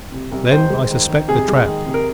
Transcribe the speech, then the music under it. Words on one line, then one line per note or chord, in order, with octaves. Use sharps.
Then I suspect the trap.
C3
C2
D#3 C5
G#3
D#3
D#3
C3 G#4
G#3
D#3
C3
A#4